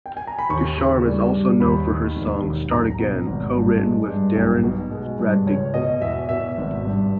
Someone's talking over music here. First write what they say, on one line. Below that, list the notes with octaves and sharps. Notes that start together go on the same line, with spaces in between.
Ducharme is also known for her song "Start Again," co-written with Darren Radtke.
G5
G#5
A#5
B5
D#2 C#6
C#3
G3
G2
D#2 B5
D#3
E1
D#2
B1 A#5
B2
G#1
G2
G#3
G2
B1
B2
G#3
G2
C#2 C#5
B2 D#5
E2 E5
B2 E5
G#1
G2